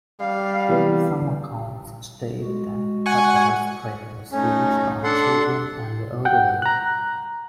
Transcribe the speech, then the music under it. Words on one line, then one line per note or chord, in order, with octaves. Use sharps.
Some accounts state that pepper spray was used on children and the elderly.
G3 F5
C3 E3 B3
G#3 F#4
F#5 G#5 C#6
A3 C#4 D#4
D4 A4 F#5 C6
F#5 G5 G6
A#5 F#6